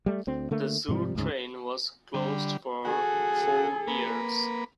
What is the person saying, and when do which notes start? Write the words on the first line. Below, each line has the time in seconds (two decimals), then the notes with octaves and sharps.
The zoo train was closed for four years.
0.06 G3 A3
0.27 D2 C4
0.51 D3 A3 A#3
0.88 G#2 C3 F3 G3
1.15 D2 G#2 C#3
2.14 D3 G3
2.85 F#4 G#4 A4
3.88 A#3 B4